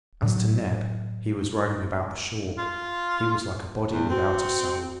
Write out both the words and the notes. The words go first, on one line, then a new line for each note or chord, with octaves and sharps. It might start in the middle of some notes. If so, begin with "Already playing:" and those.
As to Neb, he was roaming about the shore. He was like a body without a soul.
A2 F#3
F4
E2
C4 F#4